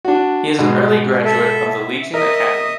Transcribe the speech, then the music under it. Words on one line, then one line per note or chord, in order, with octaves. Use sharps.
He is an early graduate of the Legion Academy.
D4 F#4
G#2 B2 G#3
A4 E5
E5
A#4 D#5 E5 D#6